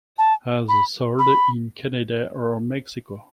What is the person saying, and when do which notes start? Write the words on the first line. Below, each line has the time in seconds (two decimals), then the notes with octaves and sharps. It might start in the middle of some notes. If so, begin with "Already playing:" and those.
As sold in Canada or Mexico.
0.18 A5
0.69 B5
1.19 B5